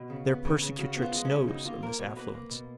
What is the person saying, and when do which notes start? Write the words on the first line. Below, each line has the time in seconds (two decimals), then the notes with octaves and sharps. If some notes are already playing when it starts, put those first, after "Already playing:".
Their persecutrix knows of this affluence.
Already playing: B2
0.10 C#3
0.28 B3
0.45 C#3
0.62 C#3
0.79 C#3 F#4
0.96 B3
1.02 F4
1.14 G#3
1.25 C#4
1.30 C#3
1.48 B2 D#4
1.65 A#3 F4
1.82 A#3 A#4
1.99 B2 C#5
2.16 A#3 B4
2.34 A#3
2.51 B2